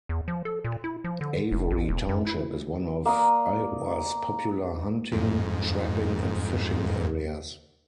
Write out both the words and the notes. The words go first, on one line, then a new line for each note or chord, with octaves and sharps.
Avery Township is one of Iowa's popular hunting, trapping, and fishing areas.
E2
F3
A4
A#2
E4
F3
D3
F1
A1
E1
F#2
E4
A#3 D5 D#6
F2 G#2